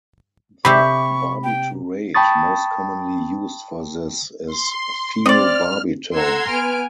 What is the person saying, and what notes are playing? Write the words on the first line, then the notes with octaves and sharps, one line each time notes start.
The barbiturate most commonly used for this is phenobarbital.
C3 G4 E5 B5 C#6
G5
G5 A5 B5 C#6 D#6 A6
C6
C4 D5 D#5 F6
A4 F#5 A#5 C6 E6 G#6
B3 G#5 F6 D7